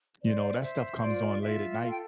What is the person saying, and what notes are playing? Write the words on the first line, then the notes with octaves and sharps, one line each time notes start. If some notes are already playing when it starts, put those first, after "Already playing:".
you know, that stuff comes on late at night.
C5 D5
C5 E5
F4 D5
F4 E5
A4 F5
G5